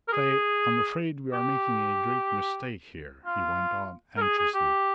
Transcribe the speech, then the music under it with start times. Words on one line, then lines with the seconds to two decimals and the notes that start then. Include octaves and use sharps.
"Say, I'm afraid we are making a great mistake here," he went on anxiously.
0.08 A#4
0.12 G#4
1.33 G4
3.26 F4
4.17 A#4
4.22 G#4
4.38 G#4
4.54 G4